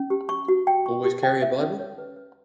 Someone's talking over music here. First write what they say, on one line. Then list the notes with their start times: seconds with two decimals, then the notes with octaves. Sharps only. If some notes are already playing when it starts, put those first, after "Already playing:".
Always carry a bible?
Already playing: C#4
0.10 G4
0.29 C#6
0.48 F#4
0.67 G5
0.86 C#6
1.04 G4
1.23 G5
1.42 E5
1.60 C#4
1.79 C#5
1.98 B4
2.16 B4